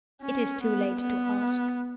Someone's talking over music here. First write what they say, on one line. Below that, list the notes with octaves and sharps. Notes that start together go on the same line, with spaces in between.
It is too late to ask.
C#4
B3
B3